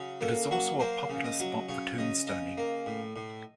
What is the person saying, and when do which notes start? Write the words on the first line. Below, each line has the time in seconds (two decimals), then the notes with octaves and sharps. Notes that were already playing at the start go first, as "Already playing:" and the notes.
It is also a popular spot for tomb-stoning.
Already playing: C#3 F#3
0.21 A#3 A4
0.51 F#3 F#4
0.80 A#3 C5
1.09 C#3
1.24 D#5
1.40 F#3
1.69 C#3 C#5
1.98 C#3 D#5
2.27 C#3 D#5
2.58 A#3
2.86 A2
3.16 A2